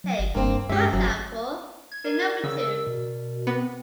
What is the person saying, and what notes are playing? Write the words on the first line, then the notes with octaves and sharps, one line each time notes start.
Take, for example, the number two.
F#3
G1
F#1 G2 A#3 C4
G2 G#3 C#4 G4 E5
G1 F#3
G#6
A#4 D5
C#3 E6
B2
B3 C4